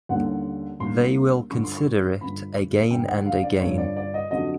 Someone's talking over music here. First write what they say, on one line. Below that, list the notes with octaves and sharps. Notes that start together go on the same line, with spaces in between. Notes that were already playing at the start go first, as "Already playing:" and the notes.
They will consider it again and again.
D#2 D3 G3 A#3 C#4 F#5
D#2 D3 G3 A#3 C#4 C6
G2 D3 F3 C#6
C6
C#6
G2 D3 F3 B5
G2 D3 F3 G5
F#5
F5
D5
G2 D3 F3 C#5
D5
D5
D#5
F2 D3 F#3 D#5